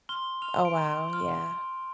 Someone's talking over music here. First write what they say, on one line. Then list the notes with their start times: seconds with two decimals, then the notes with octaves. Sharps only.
Oh, wow, yeah.
0.09 C6 F6 G7
0.42 C6 F6 F7
0.53 F7
0.65 D7
0.75 C6 G6
1.08 C6 F6